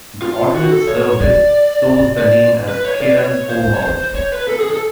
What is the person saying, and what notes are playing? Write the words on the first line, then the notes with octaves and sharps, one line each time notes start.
The Ordnance Survey shows the name as "Cairn o' Mount".
F4
F#4
A4
C#5
D5
D5
B4
C#5
D5
C#5
C5
C#5
C5
C#5
B4
A4
G#4
A4